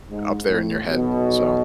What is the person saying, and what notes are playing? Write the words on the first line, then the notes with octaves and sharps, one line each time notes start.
up there in your head. So,
G#2
A2
B1 B2